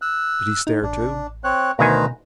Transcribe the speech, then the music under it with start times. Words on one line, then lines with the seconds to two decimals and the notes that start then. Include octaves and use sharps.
"Did he stare too?"
0.02 E6 F#6
0.67 D#4
0.82 A1 D4
1.44 C4 C#5 F#6
1.79 D2 B2 D#3 B4 C5 G#5 A#5